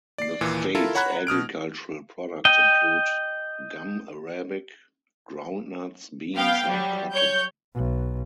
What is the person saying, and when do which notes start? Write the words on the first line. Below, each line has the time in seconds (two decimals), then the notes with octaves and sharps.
The state's agricultural products include gum arabic, groundnuts, beans, and cotton.
0.18 D5 C7
0.41 D#2 A#2 E3
0.75 E4 F4 A4 A#4
0.95 C#5 F#5 A#5 B5 F#6 G#6
1.27 B2 D#6 F6 D7
2.45 D#5 G5
6.36 B3 F5 G5
6.66 F#3 G3
7.12 C#5 G6
7.75 B1